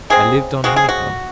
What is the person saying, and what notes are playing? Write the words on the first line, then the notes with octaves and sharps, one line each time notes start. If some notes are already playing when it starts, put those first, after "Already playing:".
I lived on honeycomb.
C#3 G#3 C4 G#4
C#3 G#3 C4 F#4
G#4
F#4